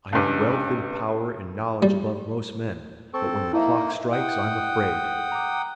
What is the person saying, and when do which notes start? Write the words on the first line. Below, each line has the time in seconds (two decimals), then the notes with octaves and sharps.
I have wealth and power and knowledge above most men, but when the clock strikes I am afraid.
0.13 C#2 G2
1.82 G3
3.14 C4 A4 C#6
3.53 A#3 D#4 E4 D#5 E5
4.12 F#5 G5 D#6
5.32 A#5 D6